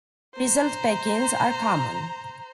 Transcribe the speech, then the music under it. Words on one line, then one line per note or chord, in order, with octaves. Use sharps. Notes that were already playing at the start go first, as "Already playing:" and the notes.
Frizzled Pekins are common.
C5 A#5